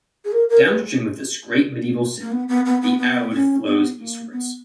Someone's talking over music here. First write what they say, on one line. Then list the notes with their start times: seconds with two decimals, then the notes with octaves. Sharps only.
Downstream of this great medieval city, the Aude flows eastwards.
0.25 G#4
0.32 A#4
0.49 A#4
0.65 B4
2.22 A#3
2.32 B3
2.48 B3
2.65 B3
2.82 B3
2.98 B3
3.32 C#4
3.65 B3
3.99 A#3
4.32 B3